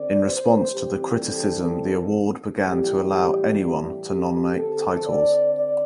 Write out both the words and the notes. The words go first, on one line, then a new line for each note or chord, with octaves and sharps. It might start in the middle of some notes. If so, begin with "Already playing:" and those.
In response to the criticism the award began to allow anyone to nominate titles.
Already playing: D3 C4 D5
C5
C3 E3 G3 C4 G4
A4
A2 E3 G3 G4
G4
G4
D3 C4 A4
D5
D5